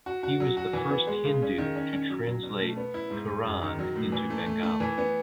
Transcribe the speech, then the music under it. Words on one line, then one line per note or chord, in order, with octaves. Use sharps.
He was first Hindu to translate Quran into Bengali.
F#4
F#4
F#3
F#4
E3
B3
G#3
C#3
C#4
D#3
C#4
C#4
F#3
F#3
B2
A3
B3
E4
G#2
G#2
F#2
D#3
F#3
A2
E3
A3
A3
A3
E3
B3